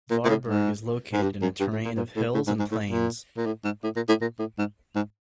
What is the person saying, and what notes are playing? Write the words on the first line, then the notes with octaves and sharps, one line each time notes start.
Varberg is located in a terrain of hills and plains.
A#2
A#2
A2
G#2
G#2
G2
F#2
G2
A2
A#2
A#2
A2
A2
G#2
G#2
A2
A#2
A#2
A2
G#2
A2
A#2
A2
A#2
A2
G#2
G#2